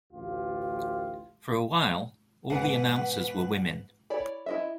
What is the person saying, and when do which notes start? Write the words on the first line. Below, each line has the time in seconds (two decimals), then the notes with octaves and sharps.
For a while, all the announcers were women.
0.13 A1 D2 F4 G4
2.50 G#2 B2 E3 B4 F#5
4.10 E4 C#5 D5 B5
4.46 E4 D#5 E5